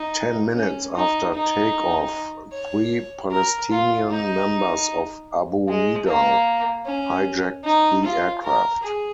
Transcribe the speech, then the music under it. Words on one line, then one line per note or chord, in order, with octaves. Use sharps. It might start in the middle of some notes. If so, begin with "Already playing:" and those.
Ten minutes after takeoff, three Palestinian members of Abu Nidal hijacked the aircraft.
Already playing: D#4
C#4
D#4
D#4
C#5
A#4
F4
D#4
G#3
A#3
C#4
D#4
F4
A#4
G#4